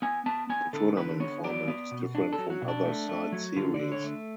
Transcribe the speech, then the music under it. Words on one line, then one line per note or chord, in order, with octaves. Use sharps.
The tournament format is different from other side series.
B3 G#5
B3 A5
B3 G#5
D3 A4
D3 B4
B3 C#5
F#3 D5
B3
B2
D4
A4
F#3
F#4
B2
D4
A3
A3
F#3
D3 F4
D5
D3
C#5
A3